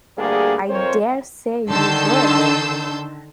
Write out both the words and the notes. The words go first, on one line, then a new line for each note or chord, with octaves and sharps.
I dare say you would!
D2 G3 A#3 D4 G#4
F2 C4 A#4 C5 C#5
D3 D#3 A5 C6 E6 G6